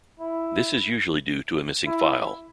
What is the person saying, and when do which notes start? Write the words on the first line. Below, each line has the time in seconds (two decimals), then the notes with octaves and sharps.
This is usually due to a missing file.
0.20 E4
1.86 E4